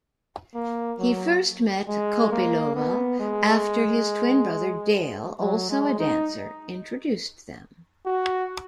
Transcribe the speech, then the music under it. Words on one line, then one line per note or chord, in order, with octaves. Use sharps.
He first met Kopylova after his twin brother Dale, also a dancer, introduced them.
A#3
F#3
G#3
A#3
B3
G#3
F#3
G#3
D#4
F#4